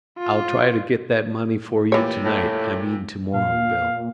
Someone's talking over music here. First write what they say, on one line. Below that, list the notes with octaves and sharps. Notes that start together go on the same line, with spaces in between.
"I'll try to get that money for you to-night--I mean to-morrow, Bill."
F4
A#2 E3 G4 C#5
A2
A#2 F5